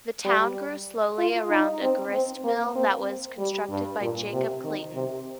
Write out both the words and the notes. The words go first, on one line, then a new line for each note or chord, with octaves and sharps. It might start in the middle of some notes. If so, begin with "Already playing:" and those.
The town grew slowly around a gristmill that was constructed by Jacob Clayton.
G3
F4
D#4
C4
C4
A#3
C4
G3
G2
A#2
C3
D#3
C3